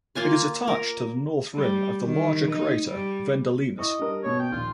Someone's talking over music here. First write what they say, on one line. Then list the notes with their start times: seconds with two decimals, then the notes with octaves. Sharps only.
It is attached to the north rim of the larger crater Vendelinus.
0.15 A#3 F4 G#5 C6
0.68 A#4
1.54 G3
2.05 D#3
2.51 D#4
2.88 G3
3.79 E4 D#5 C#6
3.99 G3 D4 A#4
4.23 B2 C#4 C#5
4.39 G5
4.52 A#1 D#2 F4